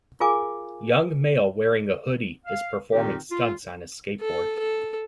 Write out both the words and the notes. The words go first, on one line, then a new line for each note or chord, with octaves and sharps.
Young male wearing a hoodie, is performing stunts on his skateboard.
F4 G#4 A#4 F5 G#5 D6
F5
A#2 D#3 C4 D#4 G4
F4
A4
A4